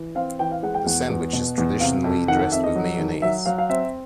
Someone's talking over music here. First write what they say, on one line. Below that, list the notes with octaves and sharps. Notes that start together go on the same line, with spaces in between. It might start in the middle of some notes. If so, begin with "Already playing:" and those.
The sandwich is traditionally dressed with mayonnaise.
Already playing: E3
C4 F5
E3 G5
F5
G#3 F#5
G5
E2 F#5
E2
B2
E2
C3 F5
F2
D#3 F#5
F#5
F2 E5
D#5
F#3
D#3
F#3 E5
F#3 F5
F5
C4 E5